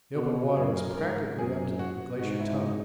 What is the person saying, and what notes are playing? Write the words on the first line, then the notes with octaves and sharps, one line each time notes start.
The open water was practically up to the Glacier Tongue.
B2 F#4
F#2 G#4
A#4
G#2 A#4
F#2 G#4
F#4
G#2 F#4
E4
D#4